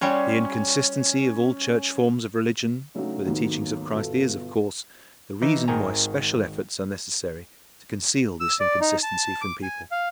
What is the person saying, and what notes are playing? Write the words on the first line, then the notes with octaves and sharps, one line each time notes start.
The inconsistency of all church forms of religion with the teaching of Christ is, of course, the reason why special efforts are necessary to conceal this inconsistency from people.
G3 C#4 F4 F#4 C#6
C#3 F#3 A3 D4 D#4 F#4
D#2 G#2 D#3 F#3 A3 B3
G1 B2 A4
E3 D#4
G#1 D#3 G5 G#5 A#5
E6
D5
D#4
A5
D6
G#5
F5